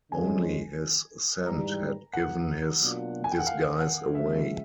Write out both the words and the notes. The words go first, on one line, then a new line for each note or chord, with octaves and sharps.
Only his scent had given his disguise away.
F2 D3 F3 G#3 C#4 G#5
G#2 E3 G3 A#5
F#5
B2 F#3 A#3 D4 F4
G#5
G5
F#5
F5
F#5
C#3 F3 G#3 E5